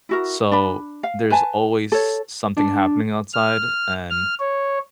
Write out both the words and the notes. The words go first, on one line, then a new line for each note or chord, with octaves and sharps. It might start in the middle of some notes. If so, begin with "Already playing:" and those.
so there's always something happening outside, and,
E4 F#4 A#4
D4 B5
F5
B4 G#5 A5
A4 C#5
D4
F6
F6
C#5